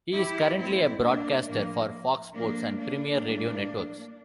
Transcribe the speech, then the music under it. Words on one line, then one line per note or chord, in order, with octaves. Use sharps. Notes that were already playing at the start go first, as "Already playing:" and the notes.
He is currently a broadcaster for Fox Sports and Premiere Radio Networks.
E4 G4
A2 G3 C4 E4
A#3 D4
A2 F3 A#3
A2 F3 A#3 D4
A#3 D4
A2 E3 G3